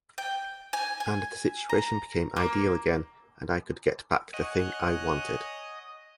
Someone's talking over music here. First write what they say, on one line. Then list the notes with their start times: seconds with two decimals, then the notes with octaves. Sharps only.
And the situation became ideal again, and I could get back the thing I wanted.
0.18 G5
0.73 G#5
1.00 G#5
1.69 A#5
2.36 A#3
4.34 C#5 D#5 F#5 G#5